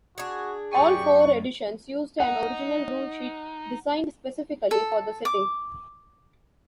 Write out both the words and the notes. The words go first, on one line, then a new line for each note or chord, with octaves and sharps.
All four editions used an original ruleset designed specifically for the setting.
D4 F#4 G#4
F#2 G4 D5 G#5 C#6
D#4 F#5
A4
D6